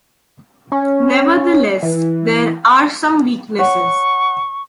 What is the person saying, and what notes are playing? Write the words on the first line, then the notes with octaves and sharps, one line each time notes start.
Nevertheless, there are some weaknesses.
C#4
E3
C#5 F#5 C#6